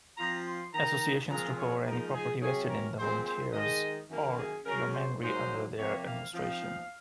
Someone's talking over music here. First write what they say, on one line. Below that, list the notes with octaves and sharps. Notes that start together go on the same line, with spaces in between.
Associations took over any property vested in the volunteers or yeomanry under their administration.
F3 C4 F4 A#5
C6
D#3 A#3 D#4 A#5
A#2 F3 G#3 C4 F4 A#5
C#5
F3 G#3 D#4 A#4
G#4
C3 F#3 C#4 G#4
A#4
A#2 G#3 C4 C5
C5
D#3 G#3 D#4 D#5
F#2 D#3 A#3
G#4
C#3 F#3 C#4 A#4
C5
G#2 F#3 A#3 D#4 C5
C3 F3 A#3 C#5
F5
F3 C4 D#4 F5